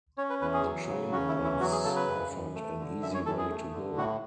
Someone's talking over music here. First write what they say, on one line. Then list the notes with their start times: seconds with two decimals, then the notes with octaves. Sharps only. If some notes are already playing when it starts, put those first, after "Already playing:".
The train lines offered an easy way to go.
0.18 C#4 C#5
0.30 B4
0.41 E2 B4
0.54 G#4
0.66 F#3
0.89 C#3
1.12 C#4 F#4
1.28 E4
1.36 E2
1.44 E4
1.60 F#3 F#4
1.72 G#4
1.84 C#3 A4
1.96 B4
2.07 F#2
2.31 F#2
2.55 A3
2.79 D3
3.03 F#2 E5
3.14 C#5
3.26 F#2 A4
3.38 G#4
3.50 A3
3.74 D3
3.97 A2 F#4